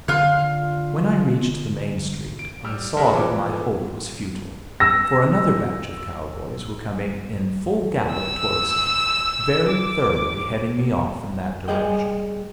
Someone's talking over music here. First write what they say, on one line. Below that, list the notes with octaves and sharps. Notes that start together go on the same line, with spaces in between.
When I reached the main street I saw that my hope was futile, for another batch of cowboys were coming in full gallop towards me, very thoroughly heading me off in that direction.
D3 F4 F5 F#6
D7
G3 E6 F6
F2 C#3 G#4 A#4 E5
A#2 E3 F3 B4 D6
A4
E6 A#6
E6
D6
G3 G#3 G#4 D#5 G5